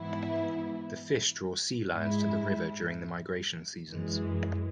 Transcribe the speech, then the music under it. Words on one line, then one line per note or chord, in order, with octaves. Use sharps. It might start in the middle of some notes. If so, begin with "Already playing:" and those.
The fish draw sea lions to the river during the migration seasons.
Already playing: G#2 E3 B3 E4
G#2 G#3 E4
F#2 E3 G#3